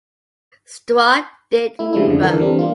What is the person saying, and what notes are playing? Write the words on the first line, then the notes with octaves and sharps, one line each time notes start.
Stroh did both.
A3 E4
C#3 F3 G3 G#3 D4 E4
F2 D3
E3 D4 A4 A#4
E3 G3 C4 D4
A#3 F4